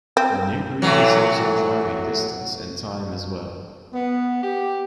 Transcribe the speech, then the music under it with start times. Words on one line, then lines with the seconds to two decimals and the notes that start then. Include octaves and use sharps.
The new bridge will save some driving distance and time as well.
0.17 C4
0.82 A2 E3 F#3
3.93 B3
4.44 G4